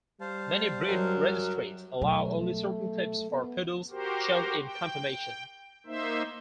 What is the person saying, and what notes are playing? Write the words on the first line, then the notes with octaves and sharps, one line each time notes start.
Many breed registries allow only certain clips for poodles shown in conformation.
G3 C5 F5 A5
F#2 F#3
B2 F#3 A3
B3
F#4 G4 A#4 C5
G5
A#3 D#4 C5 E5